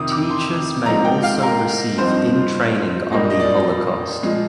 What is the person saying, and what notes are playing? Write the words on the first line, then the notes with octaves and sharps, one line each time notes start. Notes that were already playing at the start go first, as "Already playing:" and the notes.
Teachers may also receive in training on the Holocaust.
Already playing: F2 C3 D#3 D6 D#6
D6
C6
G#2 F3 C4 D#4 A#5
G5
F5
A#4
G2 F3 C4 D#4 C5
A#2 G3 A#3 D#5
D#5
D5
A#2 F3 G#3